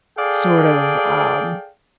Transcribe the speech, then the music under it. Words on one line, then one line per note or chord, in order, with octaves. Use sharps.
sort of, um,
G#4 A4 D5 F5 G5